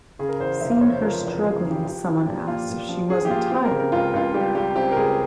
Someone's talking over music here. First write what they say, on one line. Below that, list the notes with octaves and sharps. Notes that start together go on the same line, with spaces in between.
Seeing her struggling, someone asked if she wasn't tired.
C#3 G#4
A#4
E2 C5
F1 E5
F5
F1 C#5
C5
F3 A#4
E2
C#3 G#4
G#4
C#3
G4
F3 G4
F3
A#2 G4
A#3 F4
A#2
F3
F3 G#4
G4
A#3 F4
C4 G4
A#4
C#3
A#4
C#2 F4
C#2 F4
G3 G4
G3 G4
C4 G4
A#4
C#2 G#4